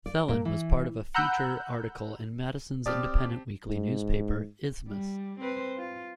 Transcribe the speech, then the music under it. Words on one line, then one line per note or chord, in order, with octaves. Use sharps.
Thelen was part of a feature article in Madison's independent weekly newspaper, "Isthmus".
D5
A#2
E3
F#5 A#5 B5 E6 F#6 G6
C4 G4 D5 A5 D6 D#6 F6
G#2
G3
C4 B4 C5
F4